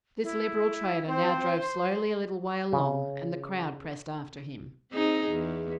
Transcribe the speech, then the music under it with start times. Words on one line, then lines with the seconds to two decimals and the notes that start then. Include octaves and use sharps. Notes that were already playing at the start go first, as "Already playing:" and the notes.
This liberal trader now drove slowly a little way along, and the crowd pressed after him.
0.23 E4
1.07 C4 C5
1.57 C6
2.73 C#3
4.93 C4 D#4 G#4
5.31 E2